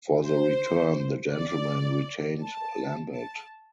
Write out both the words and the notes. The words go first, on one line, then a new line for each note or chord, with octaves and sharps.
For the return, the Gentlemen retained Lambert.
C5
D5
A5
A5